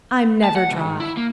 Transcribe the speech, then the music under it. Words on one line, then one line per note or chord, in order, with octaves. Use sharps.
I'm never dry.
A5
F#5
C#2
G#2
E4
A#3